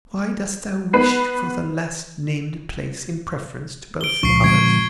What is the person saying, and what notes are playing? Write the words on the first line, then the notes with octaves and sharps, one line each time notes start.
"Why dost thou wish for the last-named place in preference to both the others?"
B3 B4 B5 C7
D7 G7
C#2 A#2 F3 C#6 C7
D3 G#3 C4 G#6 D7